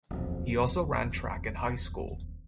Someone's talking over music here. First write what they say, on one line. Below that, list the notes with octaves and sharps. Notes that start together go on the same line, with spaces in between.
He also ran track in high school.
D#1 B1 F2